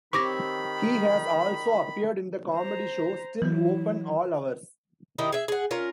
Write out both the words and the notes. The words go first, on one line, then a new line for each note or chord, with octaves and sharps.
He has also appeared in the comedy show Still Open All Hours.
D#3 C4 G4 C#5 B5 C#6 D6 A#6
C5 A#5
E3 F#3 E4
D#3 D#4 E4 G4
G#4 E5
G#4 F#5
C#4 F4 A#4